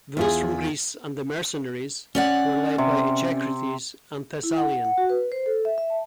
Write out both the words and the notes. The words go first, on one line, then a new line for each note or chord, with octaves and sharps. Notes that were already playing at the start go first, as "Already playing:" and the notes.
Those from Greece and the mercenaries were led by Echecrates the Thessalian.
E2 F4 G#4
C#4 D5 F#5
C3
E4
F#5
F#5
F#5
F#4
B4
C5
A4
E5
E5
A5